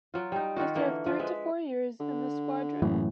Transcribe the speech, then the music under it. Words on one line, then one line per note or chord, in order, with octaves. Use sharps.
They serve three to four years in the squadron.
F#3 F4
G3 D#4
D#3 F4 F#4
D3 E3 A#3
F3 F4 B4
G#3 B4 E5
D3
F#1 F#2 A2 E3